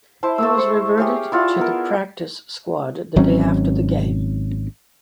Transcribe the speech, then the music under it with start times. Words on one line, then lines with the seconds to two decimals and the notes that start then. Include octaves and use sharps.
He was reverted to the practice squad the day after the game.
0.23 E4 C5 A5
0.38 A3 D6 E6
0.57 C5 C#6
0.97 G4 G#4 C#5 F5
1.32 E4 F4 D5 F#5
1.57 B3 A#4
3.16 G#1 F#3 C4 C#4